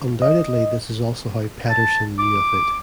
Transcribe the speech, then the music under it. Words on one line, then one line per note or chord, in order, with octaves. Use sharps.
Undoubtedly this is also how Pedersen knew of it.
D#5
A5
D6